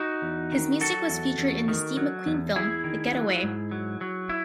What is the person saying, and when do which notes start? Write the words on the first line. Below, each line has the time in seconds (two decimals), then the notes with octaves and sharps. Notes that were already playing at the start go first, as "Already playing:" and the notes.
His music was featured in the Steve McQueen film "The Getaway".
Already playing: D#4 F#4
0.22 E2
0.52 D#3
0.80 F#3 F#4 A4
1.10 E2
1.38 E2
1.68 D#3
1.97 F#3
2.26 E2
2.56 E2 E4 G#4
2.84 D#3
3.14 F#3
3.43 G#2
3.71 F#3
4.01 F#3
4.29 E4